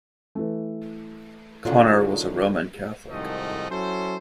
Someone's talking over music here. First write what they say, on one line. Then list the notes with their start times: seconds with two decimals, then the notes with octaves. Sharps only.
Connor was a Roman Catholic.
0.35 E3 A3
1.65 F#2 D3 D#3 F4
3.11 C2 G#2 D#3 F3 A3 D#5
3.71 F#3 C#4 E4 A4 C5